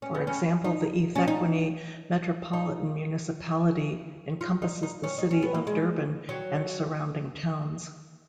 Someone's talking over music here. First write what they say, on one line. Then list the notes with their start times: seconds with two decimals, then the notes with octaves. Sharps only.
For example, the eThekwini Metropolitan Municipality encompasses the city of Durban and surrounding towns.
0.02 C#4
0.15 B3
0.27 C#4
0.64 D#4
1.15 C#4
1.28 D#4
2.53 D#4
4.41 F4
4.62 D#4
4.83 D#4
5.04 C#4
5.18 D#4
5.31 C#4
5.42 B3
5.54 A#3
5.67 G#3
6.29 F#3